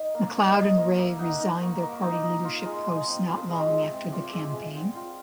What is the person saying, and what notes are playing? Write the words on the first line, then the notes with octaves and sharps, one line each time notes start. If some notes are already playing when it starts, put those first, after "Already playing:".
McLeod and Rae resigned their party leadership posts not long after the campaign.
Already playing: D#4
A#3
D#4
D#4
A#3 D#5
A#3 E5
D#4 F#5
D#4 A#5
A#3 C#6
A#3 D6
D#4 D6
D#4
F4 A#5
G#3
G#3
C4
F4 A5
G#3 D#5
G#3 E5
C4
F4 D5
G#3 E5
G#3 F5
C4 F#5
F4 G5